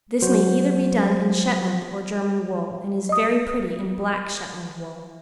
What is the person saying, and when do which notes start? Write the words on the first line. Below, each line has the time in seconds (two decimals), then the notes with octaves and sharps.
This may either be done in Shetland or German wool, and is very pretty in black Shetland wool.
0.22 F#3 F#4 C5
3.09 D#5 D#6